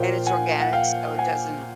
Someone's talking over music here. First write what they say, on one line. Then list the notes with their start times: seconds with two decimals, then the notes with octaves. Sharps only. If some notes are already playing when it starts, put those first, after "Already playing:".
and it's organic so it doesn't, uh
Already playing: A#2 F3 A#3 F5 G5
0.27 F#5 G#5
0.60 F#5
0.73 F5 G5
1.18 F#5 G#5